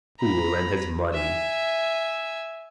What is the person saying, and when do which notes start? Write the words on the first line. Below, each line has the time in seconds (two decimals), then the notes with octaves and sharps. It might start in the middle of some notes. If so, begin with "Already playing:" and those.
Fool and his money.
0.20 A#5 B5
1.13 E5 G#5